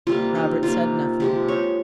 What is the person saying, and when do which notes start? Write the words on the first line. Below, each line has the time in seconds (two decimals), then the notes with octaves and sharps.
Robert said nothing.
0.07 C3 G3 A#3 F4
0.35 D#4
0.63 C3 G3 A#3 F4
1.20 C3 F3 G#3 G4
1.48 C#5